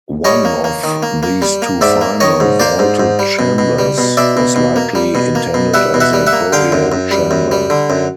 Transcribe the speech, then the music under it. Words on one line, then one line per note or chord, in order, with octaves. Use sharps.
One of these two final vaulted chambers was likely intended as a burial chamber.
G3 C#5 D#5
A#3
A#3
D#3
A#3
A#3
G3
A#3
G#2 D5 E5
A#3
D#3 C#5 D#5
G#2
A#3 C5 D5
G#2
G#2
G3
B2
B2
G3
B2
B2 D5 E5
B2
B2
A#3
G3
B2
A#3
B2
G3 E5 F#5
B2
E5 F#5
G3
E5 F#5
A#3
D3 F5 G5
F#2
F#2
G3
F#2
G3
D3
F#2